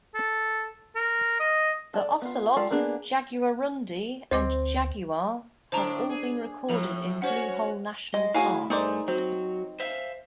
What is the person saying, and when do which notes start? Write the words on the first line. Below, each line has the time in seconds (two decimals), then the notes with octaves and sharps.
The ocelot, jaguarundi, and jaguar have all been recorded in Blue Hole National Park.
0.15 A4
0.95 A#4
1.40 D#5
1.94 A4 D5
2.22 B3 F4
2.56 G#3 F4 G4 A4 D5
2.71 A#3 B3 D4 G#4
4.31 D2 C4 C5 D#5 D6
5.72 A2 D3 D4 C5 A5 A#5
6.09 G#4
6.69 A2 F3 A4 B5 F7 F#7
7.22 C#4 F#4 C5 C#5 F#5
8.14 G#3 D#5
8.34 A2 F#3 E4 F#4 G#4 F5 G#5
8.70 G2 A3 D#4 G#4 A#4 C5 D5
9.08 F#3 C4
9.80 C5 E5 F5